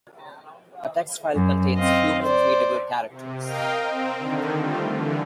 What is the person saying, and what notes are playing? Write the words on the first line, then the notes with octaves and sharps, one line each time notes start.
A text file contains human-readable characters.
F#2
C4 D#5 F5
C5 D5
C3
A#4 D#5 F5 G5
C4
D3 D#3
G3 A3 C4 F4
D3 E3